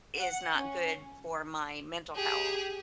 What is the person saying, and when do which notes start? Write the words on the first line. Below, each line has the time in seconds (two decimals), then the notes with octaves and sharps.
is not good for my mental health."
0.19 F#5
0.58 C#4
2.16 G4 G#4